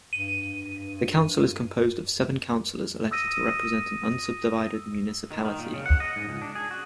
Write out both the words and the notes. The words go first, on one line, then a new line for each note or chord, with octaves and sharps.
The council is composed of seven councillors elected to represent an unsubdivided municipality.
G2 D#7
D#6 E6 A#6 D#7
D#3
D#3
A#2
C#3
F#5
D#5
G#2
C#2
D4
G#4
F#4